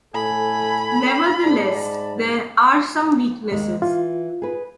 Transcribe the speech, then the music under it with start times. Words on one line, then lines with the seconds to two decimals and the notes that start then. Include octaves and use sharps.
Nevertheless, there are some weaknesses.
0.14 A2 A4 G#5 B5
1.43 G#2 D5 A5
3.51 D#2 G#3
3.82 E3 F4
4.42 G#4 B4